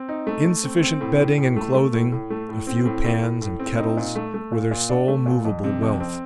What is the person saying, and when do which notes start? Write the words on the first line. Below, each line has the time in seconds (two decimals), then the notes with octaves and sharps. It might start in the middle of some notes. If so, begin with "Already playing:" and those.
Insufficient bedding and clothing, a few pans and kettles, were their sole movable wealth.
Already playing: C4
0.09 D#4
0.27 A3
0.45 A3
0.63 C4
0.82 C4
1.01 A2
1.19 A2
1.38 A2
1.56 A3
1.74 A3
1.93 A2
2.12 A2
2.30 A3
2.49 A2
2.67 C4
2.85 A2
3.04 A2
3.23 A2
3.42 A2
3.59 C4
3.78 D#4
3.97 A#2
4.15 A3
4.34 A3
4.52 A#2
4.71 A#2
4.89 D4
5.08 A3
5.26 A#2
5.45 F2
5.64 C3
5.82 F2
6.00 C4